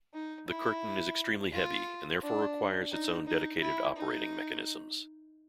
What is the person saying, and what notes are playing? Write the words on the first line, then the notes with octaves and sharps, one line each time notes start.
The curtain is extremely heavy and therefore requires its own dedicated operating mechanisms.
D#4
E4
F4
D4
D#4
D#4
E4
D#4